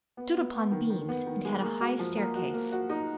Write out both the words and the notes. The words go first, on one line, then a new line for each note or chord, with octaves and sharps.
It stood upon beams, and had a high staircase.
B3
B3
B3
D#3
D#3
B3
D#3
G#3
A#3
F#4
F3
A#3
F#4
A#3
F#4
D#4